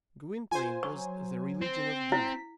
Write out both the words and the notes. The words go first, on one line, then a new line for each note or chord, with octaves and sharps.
Gwynplaine was the religion of Dea.
F4 C5 G#5
F#3 C#6
C4
E4 B6